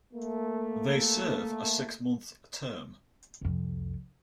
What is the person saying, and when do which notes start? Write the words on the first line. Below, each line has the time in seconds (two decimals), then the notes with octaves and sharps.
They serve a six-month term.
0.13 A3 A#3
3.41 C2 F2